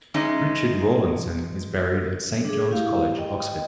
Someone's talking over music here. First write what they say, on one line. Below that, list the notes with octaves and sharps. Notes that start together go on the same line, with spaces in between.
Richard Rawlinson is buried at Saint John's College, Oxford.
E3 G#3 C#4 D#4 D#5
D4 G#4
E4 G4 F5
D#5 G5